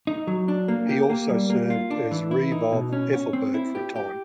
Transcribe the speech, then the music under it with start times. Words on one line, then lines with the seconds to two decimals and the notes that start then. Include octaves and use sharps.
He also served as reeve of Ethelbert for a time.
0.07 D#4
0.27 F#3
0.48 D4
0.68 A#3
0.89 G4
1.10 A#3
1.30 G3
1.50 A#3
1.70 F4
1.91 D4
2.11 E3
2.31 E4
2.52 D#4
2.72 B2
2.93 C#4
3.13 C#4
3.33 C4
3.54 E4
3.75 G4
3.96 G4